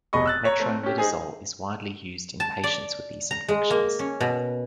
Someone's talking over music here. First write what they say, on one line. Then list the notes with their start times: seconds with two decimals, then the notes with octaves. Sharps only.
Metronidazole is widely used in patients with these infections.
0.13 F1 B2 G#4 D#5 B5 C#6
0.26 E6 F#6 A6
0.45 C#5 A#5
0.60 A3 C4
0.83 C#4 G4
0.98 D#4 G#4 C5 G#5
2.40 A5
2.64 D5
3.31 A#5
3.48 G#3
3.70 A#3
3.99 C#4
4.21 B2